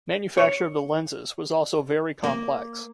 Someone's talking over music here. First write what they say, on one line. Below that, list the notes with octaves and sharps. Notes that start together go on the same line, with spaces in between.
Manufacture of the lenses was also very complex.
C#5
A#3